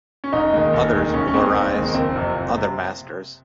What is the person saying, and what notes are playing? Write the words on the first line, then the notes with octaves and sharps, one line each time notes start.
Others will arise — other masters.
C#4
F1 D#4
D#2 D#3 G#3
F1
D#2 D#3 G#3
F1 C#4
C#4
D#2 D#3 G#3 C4
F1
D#2 D#3 G#3
A#3
F#1 C4
F2 C3
F#1
C3